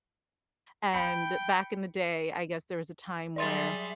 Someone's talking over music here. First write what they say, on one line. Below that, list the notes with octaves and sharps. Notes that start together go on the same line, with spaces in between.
and back in the day, I guess there was a time where,
G5 B5 C#7
F#3 G3 G#4 D5 E5 C6 A6